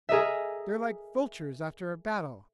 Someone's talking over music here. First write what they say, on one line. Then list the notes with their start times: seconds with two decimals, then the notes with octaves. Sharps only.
"They're like vultures after a battle."
0.09 G#4 A#4 D#5 E5